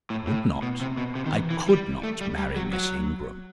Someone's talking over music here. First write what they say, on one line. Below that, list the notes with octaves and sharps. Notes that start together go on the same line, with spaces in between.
I would not--I could not--marry Miss Ingram.
A2
A2
B2
C3
B2
C3
D#3
E3
E3
G3
A3
G3
G3
F#3
F#3